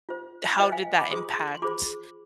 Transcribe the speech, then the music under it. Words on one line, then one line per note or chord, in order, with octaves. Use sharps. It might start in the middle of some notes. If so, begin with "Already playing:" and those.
how did that impact
F4 C5
F4 C5 D#5 G5
F5 G#5
B5 D6
F4 G#4 C5 C6 D#6
C6
F4 G#4 C5 B5 D6